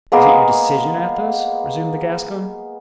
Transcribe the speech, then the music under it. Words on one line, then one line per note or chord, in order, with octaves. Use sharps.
"Is it your decision, Athos?" resumed the Gascon.
G#3 A#3 B3 G#4